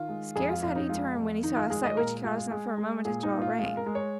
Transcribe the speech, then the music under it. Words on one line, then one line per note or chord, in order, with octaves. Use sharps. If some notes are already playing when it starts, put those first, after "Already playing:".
Scarce had he turned when he saw a sight which caused him for a moment to draw rein.
Already playing: D#3 F4
G#3
F2 G#4
F4
F2 F4
D#4
G#3 F4
F2
D#3 D#4
F4
G#3 G#4
D#5
A#2 A#4
G#3 F4
F4
G#3 G#4
G#3
A#2 G#4
D#4
A#2
F4
G#3 F4
A#4
G#3
C#5